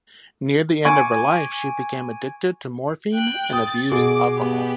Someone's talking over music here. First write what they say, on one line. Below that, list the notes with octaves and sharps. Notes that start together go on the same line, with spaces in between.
Near the end of her life she became addicted to morphine and abused alcohol.
G#5 C#6 D6
G5 F#6
D#6 A6
B2 F#4 G#4 D6
B3 G4